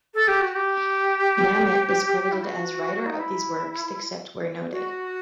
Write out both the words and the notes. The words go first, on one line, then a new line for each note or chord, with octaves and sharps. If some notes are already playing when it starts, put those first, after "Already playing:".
Mamet is credited as writer of these works except where noted.
A4
G4
F#4
G4
E4
F#4
D#4
E4
F#4